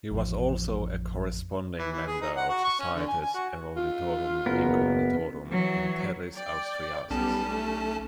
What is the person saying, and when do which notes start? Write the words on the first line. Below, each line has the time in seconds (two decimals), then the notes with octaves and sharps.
He was also a corresponding member of Societas eruditorum incognitorum in terris Austriacis.
0.11 A1 F2
1.78 E3
1.92 E3
2.07 G#4
2.21 D#4
2.36 F#5
2.49 F#4
2.64 C#6
2.79 C#4
2.95 D3
3.07 G#5
3.21 G#5
3.34 F#4
3.77 F4
4.46 F#1 B3 A#4
5.47 E3 F#3
6.35 D5 G5
7.10 B1 G3 B3 C#4 A5
7.48 A3